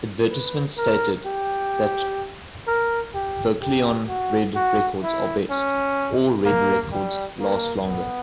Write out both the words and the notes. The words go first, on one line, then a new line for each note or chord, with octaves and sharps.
Advertisements stated that "Vocalion Red Records are best" or "Red Records last longer".
B4
A#4
G4
A#4
G4
G4
F#4
F#4
E4
C#4
A#3
G3
A#3
B3